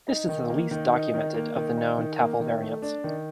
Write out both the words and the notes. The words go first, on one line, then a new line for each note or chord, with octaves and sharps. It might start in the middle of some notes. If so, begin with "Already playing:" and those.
This is the least documented of the known tafl variants.
D#4
D#3
A#3
D#3
D#4
D#3
A#3
D#3
D#4
D#3
A#3
D#3
A3
D4
D#3